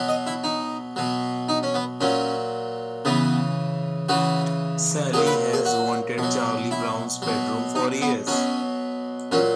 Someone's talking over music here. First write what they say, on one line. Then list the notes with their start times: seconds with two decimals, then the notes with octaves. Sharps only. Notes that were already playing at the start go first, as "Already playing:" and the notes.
Sally has wanted Charlie Brown's bedroom for years.
Already playing: B2 F#3
0.08 D#5
0.27 E4
0.44 D#4
0.96 B2 F#3
1.49 D#4
1.63 C#4
1.74 B3
2.01 A#2 F#3 C#4
3.05 C#3 E3 B3
4.09 C#3 E3 F#4
5.13 A#2 F#3 G#4
5.27 B4
5.53 G#4
5.65 F#4
6.18 B2
6.23 F#3
6.71 E4
7.22 B2 F#3
7.75 D#4
8.02 B3
8.27 B2 F#3 C#4
9.32 A#2 F#3 C#4